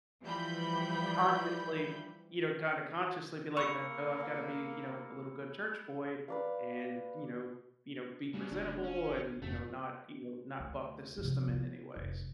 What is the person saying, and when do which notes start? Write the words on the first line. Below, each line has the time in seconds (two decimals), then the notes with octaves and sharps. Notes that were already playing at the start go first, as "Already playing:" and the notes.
consciously, you know, kinda consciously be like, "No, I've gotta be, you know, a little good church boy, and, you know, you know, be presentable and, you know, not, you know, not buck the system in any ways."
0.23 E3 F3 G3 B5 G6
3.57 A#3 B5 C#6 E6 C#7
6.28 B4 D5 F5
8.34 C#3 F#3 G3
8.50 F1 D4
8.84 C#4
9.10 G#1
9.42 F1 G#2 A3
10.60 D2
11.18 C3 F3
11.48 B3
11.96 F1